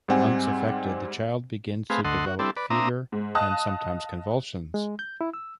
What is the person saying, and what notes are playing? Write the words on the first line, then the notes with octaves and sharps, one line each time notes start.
Once affected, the child begins to develop fever, and sometimes convulsions.
G#2 G3 C4 F#5 G#5
A3 C4 G#4 B4 F5
D2 A4 D#5 F#5 C6
F#4
G3 C4 D4 E4 A4
B4 D5
A#3 C4 D4 E5 A#5 D#6
G#2
D#5 F5 A5 D#6 F#6
G#3
G6
E4
E6